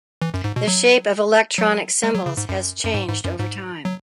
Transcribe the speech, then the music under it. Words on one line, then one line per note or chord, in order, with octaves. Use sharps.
The shape of electronic symbols have changed over time.
E3
F#2
G#2
B2
F#3
F#3
G#3
F#3
C#3
G#2
F#2
F#2
G#2
G#2
F#2
G#2
F#3